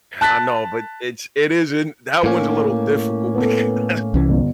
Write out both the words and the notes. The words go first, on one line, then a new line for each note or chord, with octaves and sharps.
I know, but it's it isn't, that one's a little difficult because
A5 F#6 A6 B6
A2 A#3 C#4
B3 A4
C2 E3 C#4
G1